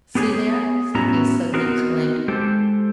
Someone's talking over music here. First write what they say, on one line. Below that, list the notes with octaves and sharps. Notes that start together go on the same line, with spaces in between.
"See there!" Cynthia suddenly exclaimed.
B3 G4 G#4 B4 C#5 G#5
A2 B3 C#4 E4 F#4 A#5
B3 C4 D#4 F#4 A#4
G#3 G4 A4 C5